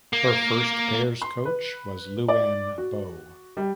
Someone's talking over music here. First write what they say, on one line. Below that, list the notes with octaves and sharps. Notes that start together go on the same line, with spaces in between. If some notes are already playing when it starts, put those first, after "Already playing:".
Her first pairs coach was Luan Bo.
A#3
C6
B4
D5
F#4
G3